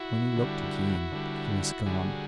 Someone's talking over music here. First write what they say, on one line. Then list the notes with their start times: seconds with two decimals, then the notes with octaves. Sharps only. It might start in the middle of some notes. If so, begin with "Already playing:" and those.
When he looked again he was gone.
Already playing: E4 F#4
0.36 D3 G3
1.11 D3 G3
1.86 D3 G3 F#4 G#4